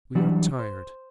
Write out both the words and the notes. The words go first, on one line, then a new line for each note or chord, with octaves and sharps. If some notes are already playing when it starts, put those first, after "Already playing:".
We are tired.
E3 F#3 G3 D4 F#4
C5